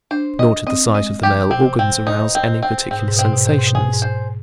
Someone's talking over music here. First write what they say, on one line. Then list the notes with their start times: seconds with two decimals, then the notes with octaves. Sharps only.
Nor did the sight of the male organs arouse any particular sensations.
0.11 D4 C5
0.39 D#5
0.67 C4 D#5
0.95 G#3 D#5
1.23 F3 G4
1.50 B2 C4
1.79 C4
2.07 D#4
2.35 C4
2.63 C4
2.91 G#2 C4
2.99 B2
3.08 G#2
3.16 B2 C4
3.25 G#2
3.33 B2
3.41 G#2
3.47 B2 C5
3.59 G#2
3.67 B2
3.75 G#2 G#4
3.84 B2
3.93 G#2
4.02 C5